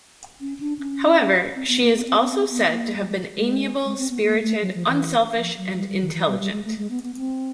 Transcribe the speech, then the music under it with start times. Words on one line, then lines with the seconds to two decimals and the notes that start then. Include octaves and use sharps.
However, she is also said to have been amiable, spirited, unselfish and intelligent.
0.41 C#4
0.60 D4
0.79 C#4
1.55 C4
1.68 B3
1.81 A#3
1.93 B3
2.07 C4
2.20 B3
2.32 C4
2.51 B3
2.70 A#3
2.97 G3
3.08 G#3
3.34 G#3
3.85 G#3
3.98 C4
4.10 B3
4.23 A#3
4.43 A3
4.62 F#3
4.75 F3
4.87 E3
5.37 F3
5.57 F#3
5.76 G3
5.89 G3
6.02 D#3
6.15 E3
6.27 G3
6.40 G3
6.52 G#3
6.65 A3
6.78 G#3
6.90 B3
7.03 B3
7.16 C4